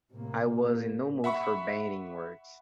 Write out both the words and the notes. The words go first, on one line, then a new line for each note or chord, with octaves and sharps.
I was in no mood for bandying words.
A2 C3 A#3
E5 F#5 B5 C#6